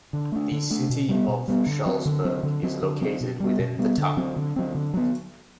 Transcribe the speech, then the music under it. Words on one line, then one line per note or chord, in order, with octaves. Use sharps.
The City of Shullsburg is located within the town.
D3
A3 D4
D3
A3 D4
B2
G3 B3
B2
G3 B3
D3
F#3 C4
D3
F#3 C4
D3
F#3 C4
D3
F#3 C4
B2
G3 B3
B2
G3 B3
D3
F#3 C4
D3
F#3 C4
D3
F#3 B3